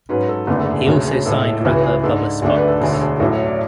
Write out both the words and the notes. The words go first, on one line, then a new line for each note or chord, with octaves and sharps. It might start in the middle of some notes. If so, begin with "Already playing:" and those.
He also signed rapper Bubba Sparxxx.
G#2 F#3 C#4 B4
A4
F#1 E2 D3 A3 G#4
A4
G#4
E1 D2 C#3 F#4
G#4
A1 A2 G#3 A4
A4
C#2 C#3 E3 F#4
G#4
G#2 G#3 D4 A4
D2 D3 A3 D4 G#4
B4
A4
E1 D2 D3 G#4
A4
G#4
A1 A2 F#3 A4
C#5
D5